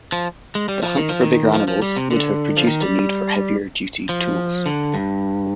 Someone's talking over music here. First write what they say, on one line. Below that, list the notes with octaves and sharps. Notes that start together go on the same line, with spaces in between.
The hunt for bigger animals would have produced a need for heavier-duty tools.
F3
G#3
G3
F3
D#3
F3
D#3
F3
F3
G3
C3
D3
F3
D#3
G3
F3
D3
G2